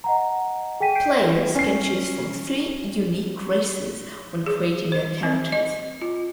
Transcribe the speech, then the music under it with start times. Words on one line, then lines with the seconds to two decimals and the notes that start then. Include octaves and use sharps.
Players can choose from three unique races when creating their characters.
0.04 D#5 F#5 A#5
0.80 G#4 G5 G#5 B6 D#7
0.95 G6 C7 D7
1.55 C#4 C7
4.46 G#4
4.92 C5
5.23 C4
5.52 D#5
6.01 F4